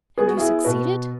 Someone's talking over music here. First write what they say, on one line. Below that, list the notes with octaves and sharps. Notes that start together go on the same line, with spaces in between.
"And you succeeded?"
B3 G#4
F#4
E4 G#4
B2 F#4 B4